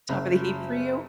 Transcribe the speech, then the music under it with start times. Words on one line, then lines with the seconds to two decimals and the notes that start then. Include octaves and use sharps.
top of the heap for you?
0.09 F#1